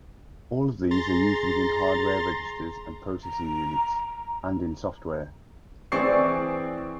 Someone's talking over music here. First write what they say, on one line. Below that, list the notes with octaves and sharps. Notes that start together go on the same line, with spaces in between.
All of these are used within hardware registers and processing units, and in software.
G#4 A#5 C6 A6
A#5
E3 C4 G#4 D5 C#6 C7